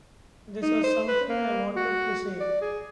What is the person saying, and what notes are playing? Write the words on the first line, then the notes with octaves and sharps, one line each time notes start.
This was something I wanted to say.
D#4
C5
B4
A#3
F#4
D5
G#4